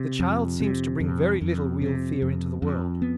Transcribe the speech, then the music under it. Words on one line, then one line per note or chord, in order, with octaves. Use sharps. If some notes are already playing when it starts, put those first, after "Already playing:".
The child seems to bring very little real fear into the world.
Already playing: C3
F2
C3
F2
F2
C3
F2
F2
B3